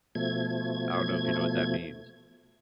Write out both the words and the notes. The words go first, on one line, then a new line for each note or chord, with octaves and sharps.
I don't know if you know what that means
B2 F3 A3 G#6